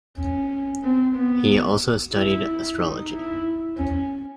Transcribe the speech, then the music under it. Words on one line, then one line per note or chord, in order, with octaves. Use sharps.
He also studied astrology.
C#4
C4
B3
E4
D#4
E4
C#4